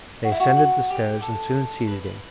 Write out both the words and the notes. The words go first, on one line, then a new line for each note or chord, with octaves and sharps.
They ascended the stairs, and soon seated him.
F#4
E4
F#4
F#4
G4
A4
B4